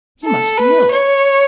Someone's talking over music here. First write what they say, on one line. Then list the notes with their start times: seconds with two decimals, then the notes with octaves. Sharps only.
He must be ill.
0.25 A4
0.58 B4
0.92 C#5